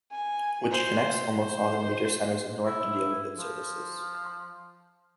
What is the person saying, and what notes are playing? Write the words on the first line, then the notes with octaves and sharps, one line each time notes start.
Which connects almost all the major centres of North India with its services.
G#5
C5
C5
E4
F3